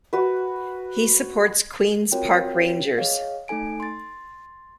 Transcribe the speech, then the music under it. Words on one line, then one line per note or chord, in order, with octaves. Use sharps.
He supports Queens Park Rangers.
F#4 B4
C4 F4 F#4 A#4 C#5 G5
G#4 C#5 D#5 F5
A3 D#4 A4 G#5 D7
C6 A6